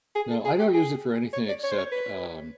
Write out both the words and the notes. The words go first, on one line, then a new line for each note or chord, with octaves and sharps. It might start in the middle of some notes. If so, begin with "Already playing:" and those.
No, I don't use it for anything except, um,
G#4
A4
G#4
G4
G#4
C#5
D5
C#5
C5
C#5
B4